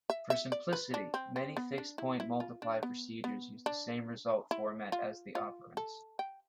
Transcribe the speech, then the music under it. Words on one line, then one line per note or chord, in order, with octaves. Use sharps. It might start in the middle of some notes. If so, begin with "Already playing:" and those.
For simplicity, many fixed-point multiply procedures use the same result format as the operands.
E5
E5
D5
B4
D4
C4
C4
B3
D4
E4
E4
F4
D4
B3
B3
D4
E4
F4
F4
A4
G5